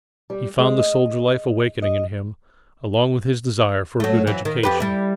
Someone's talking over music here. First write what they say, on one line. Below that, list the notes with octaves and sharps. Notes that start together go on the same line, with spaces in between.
He found the soldier life awakening in him, along with his desire for a good education.
G3
G#3
D#5
D#5
F#3 A3
E3 F#3
D#3
F2 G4 B4
G3 E4